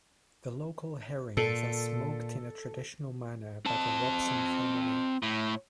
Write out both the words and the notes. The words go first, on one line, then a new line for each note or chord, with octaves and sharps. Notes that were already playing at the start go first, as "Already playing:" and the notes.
The local herrings are smoked in a traditional manner by the Robson family.
A#2 A4
C4 A5
A2